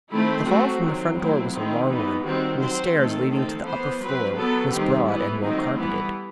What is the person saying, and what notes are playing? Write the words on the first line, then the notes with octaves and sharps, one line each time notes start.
The hall from the front door was a long one, and the stairs leading to the upper floor was broad and well carpeted.
D#3 A3 C4 E4
F#3 A3 C4 F#4
D#3 F#3 C4
F#3 A3 C4 E4
D#3 A3 C4 E4
E3 G3 B3 D#4
D#3 G3 C4 F#4
F#3 C4 C5
D#3 A3 C4 A4
D#3 A3 C4 A4
E3 B3 C5
F#3 C4 B4
F#3 B3 A4
D#3 G3 C4 G4
E3 B3 E4
D#3 F#3 A3 C4 D#4
E3 G3 B3 E4